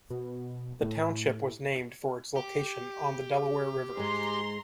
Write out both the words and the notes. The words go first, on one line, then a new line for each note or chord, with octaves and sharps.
The township was named for its location on the Delaware River.
B2
A2
G4
G#2 G#3 A#5 C6